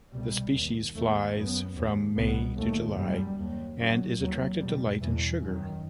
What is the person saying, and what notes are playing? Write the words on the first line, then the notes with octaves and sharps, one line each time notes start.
The species flies from May to July and is attracted to light and sugar.
C2 B2 G3
D#2
D#2 A3
F#2 B3
D#2
C2 B2 B3
D#2 A3
F#2 G3
D#2
F#2 F#3
D#2 F#3
E2 B2 G3
E2 B2 E3
F#2 D#3